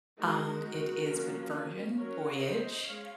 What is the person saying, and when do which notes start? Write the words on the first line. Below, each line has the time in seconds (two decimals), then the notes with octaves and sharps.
Um, it is with Virgin Voyage,
0.18 G#3 D#4 F#4 A#4
1.07 F3 A#3 C#4
1.97 F#3 C#4 A#4 C#5
2.41 C5 D#5
2.86 G#3 C#5 F5